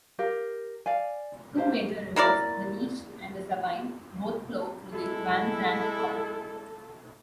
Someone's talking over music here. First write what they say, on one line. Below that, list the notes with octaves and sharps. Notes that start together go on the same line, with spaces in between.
Two major rivers, the Neches and the Sabine both flow through Van Zandt County.
G4 A#4 F5
D5 F5 G#5
G4 C5 F5
A#3 E4 A#4 D5
G#3 E4 A4